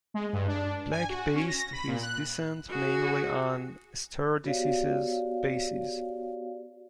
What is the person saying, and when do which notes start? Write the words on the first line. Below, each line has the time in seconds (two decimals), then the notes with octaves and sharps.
Black based his dissent mainly on "stare decisis" basis.
0.14 G#3
0.33 G2
0.47 D4
0.92 G#5
1.09 F#4
1.35 C#4
1.48 A#6
1.73 B5
1.87 A#2
2.03 F#6
2.69 F#4 G#4
4.44 B3 F#4 G4 C#5 D5 F5